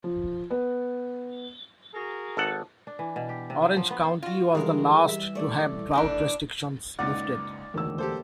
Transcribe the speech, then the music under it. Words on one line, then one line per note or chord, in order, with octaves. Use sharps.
Orange County was the last to have drought restrictions lifted.
F3
B3
F#4 G#4 A#4
G#1 A4 F#5
D4
E3
B2
G4
C3
F#3
F3
B3
C5
F4 F#4
E3 G3 G#3 A#4
E5
A3 D5
D#3 E3 D4
F#1 C#2 D#4 D5 F#5 A6
E1 D2 D#3 E6
A#3 G4 A4 C5